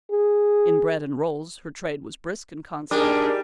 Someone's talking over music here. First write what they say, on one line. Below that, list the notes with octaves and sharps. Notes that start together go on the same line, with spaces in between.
In bread and rolls her trade was brisk and constant.
G#4
G3 D4 D#4 G#4 A#4